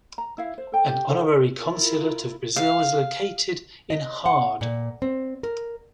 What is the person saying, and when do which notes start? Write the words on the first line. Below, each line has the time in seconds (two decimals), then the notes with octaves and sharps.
An honorary consulate of Brazil is located in Hard.
0.18 A#5
0.38 E4 E5 F5
0.58 C5
0.72 A4 G5 A5
0.88 G4
1.09 D#4 A4 C5 F#5
1.59 E4 F4 A#4
2.56 F5
3.90 D#5
4.26 F#5
4.61 A#2
5.02 C4
5.43 A#4